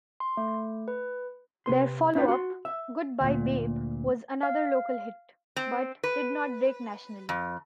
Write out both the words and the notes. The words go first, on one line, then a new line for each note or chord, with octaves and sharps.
Their followup, "Goodbye Babe", was another local hit, but did not break nationally.
C6
A3
B4
C3 B4 C6
C#4 D4 F4 B4 G5
F#4 C6
E5
D2 A#2
F5
C4
B4
F2